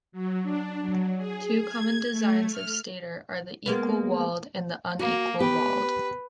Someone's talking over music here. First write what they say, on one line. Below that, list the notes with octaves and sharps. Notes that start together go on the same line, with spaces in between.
Two common designs of stator are the "equal-walled" and the "unequal-walled".
F#3
D4
F#3
G#4
G#6
A3
F6
G#3 A#3 B3
A#3 F#4
B3 G4 B4